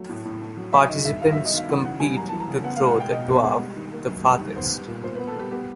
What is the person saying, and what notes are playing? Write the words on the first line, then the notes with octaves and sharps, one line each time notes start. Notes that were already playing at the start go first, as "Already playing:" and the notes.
Participants compete to throw the dwarf the farthest.
Already playing: F#3 A3
A2
A2
A3
F#3
F#3 E5
D#3 D#5
G2 E5
G2 F5
E5
F#3
D#5
D#3 F5
E3 F#5
C#3 F#5
G3 G#5
F#2 A#5
E3 A5
A#5
C#3
B3 F#5
F5
G#3
F#5
B2 G5
B2 D#5
B3
G#3
G3
D#3
A#3
F#2
G3
D#3
B3 C5
G3
A#2
A#2 C5
B4
B3
A4
G3 G4
B3 G4